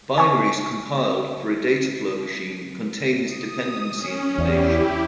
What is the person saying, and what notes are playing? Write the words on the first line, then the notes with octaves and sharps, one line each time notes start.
Binaries compiled for a dataflow machine contain this dependency information.
G#5 C#6
D#6
C#4
E2 E4 G4